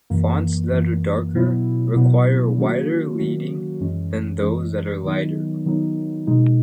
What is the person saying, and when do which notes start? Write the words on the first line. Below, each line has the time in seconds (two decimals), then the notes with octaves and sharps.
Fonts that are darker require a wider leading than those that are lighter.
0.10 F#2 E3 A#3
0.72 F#2 E3 A#3
1.34 B2 F#3 B3 E4
1.96 B2 F#3 B3 E4
2.57 D#3 F#3 A#3 C#4 F#4
3.19 D#3 F#3 A#3 C#4 F#4
3.80 F#2 E3 G#3 C#4
4.42 F#2 E3 G#3 C#4
5.04 D#3 F#3 B3 D#4
5.66 D#3 F#3 B3 D#4
6.27 B2 G#3 D#4